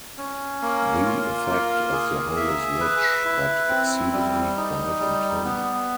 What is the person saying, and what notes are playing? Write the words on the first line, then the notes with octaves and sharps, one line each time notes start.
The effect of the whole is rich, but exceedingly quiet in tone.
C#4
A#3
F4
A#3
G#4
E5
B4
E4
C4
G3
D#4
G3
B3